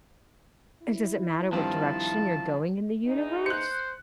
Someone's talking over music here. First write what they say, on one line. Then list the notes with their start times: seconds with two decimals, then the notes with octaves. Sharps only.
And does it matter what direction you're going in the universe?
0.83 E4
1.53 G2 D#3 F3 C4 A5
3.05 E2 D#4
3.46 C5 F#6 C#7